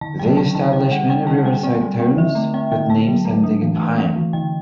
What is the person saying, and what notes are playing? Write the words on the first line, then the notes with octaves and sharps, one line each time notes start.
They established many riverside towns with names ending in "-heim".
D3 A5
F#3 G5
C4 A5
D3 A5
D3 G5
G3 F#5
C4 G5
D3 A5
G3 G5
C4
G3
C4
D3 E5
A3
C4 G5
D3 G5
D3 A5
F#3
A3
D4
E3
A3
C4
E3
D3 G5